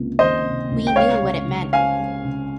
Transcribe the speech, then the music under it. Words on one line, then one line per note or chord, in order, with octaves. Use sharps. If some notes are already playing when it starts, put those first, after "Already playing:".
We knew what it meant.
Already playing: C#2 C3 A#3
D#3 C5 D#5
C3
C#2
G5
G#3 C#5 F5
C#3
C#3
C#4 F5 G#5
G#3
C#3